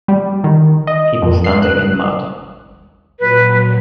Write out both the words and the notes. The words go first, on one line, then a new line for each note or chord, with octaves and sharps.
People standing in mud.
G3
D#3
D#5
F2
C7
F#6
A#2 F#3 B4